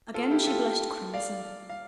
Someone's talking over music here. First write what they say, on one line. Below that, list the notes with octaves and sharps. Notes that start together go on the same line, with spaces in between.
Again she blushed crimson.
F4 A4
E4 G4
G4
F4 A4
D5 F5
F5